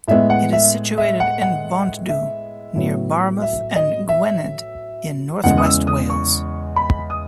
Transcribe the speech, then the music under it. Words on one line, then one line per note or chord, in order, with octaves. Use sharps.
It is situated in Bontddu, near Barmouth in Gwynedd in north-west Wales.
A2 G#3 B3 E5
F#5
E5
E5
F#5
F#5
E5
A2 F#3 B3
E5
D#5
E5
E2 C#3 G#3 F#5
D#6
E6
D#6
C#6
B5
D#6